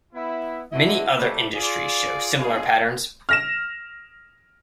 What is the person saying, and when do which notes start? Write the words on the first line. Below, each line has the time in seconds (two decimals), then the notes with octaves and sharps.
Many other industries show similar patterns.
0.14 B3 E4
0.72 G2 B2 D3 E4 F#4 D#5
1.16 A2 C3 G3 A3
1.55 F4 G#4 D5
2.38 G#3 B3 D4 F4 G#4
3.29 F6 A#6 E7